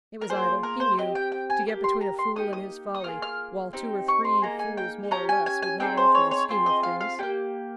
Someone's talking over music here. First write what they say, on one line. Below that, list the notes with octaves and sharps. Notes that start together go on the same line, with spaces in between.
It was idle, he knew, to get between a fool and his folly; while two or three fools more or less would not alter the scheme of things.
A#4
A#3 F4 G#4 C5
A#4
C5
C4 D#4 G4 D#5
G5
G5
G#5
A#3 D#4 G4
C6
A#5
C6
A#3 D#4 G4 D#6
D#6
D#6
A#3 F4 G#4 F6
F6
C4 D#4 G4
C#6
C6
A#3 D#4 G#4 A#5
G#5
G5
C#4 G4 A#5
G#5
G#5
G#5
C4 D#4 G#4 G5
C5
C#5
C#5
C4 F4 G#4
D#5
F5
F5
A#3 C#4 G4 G5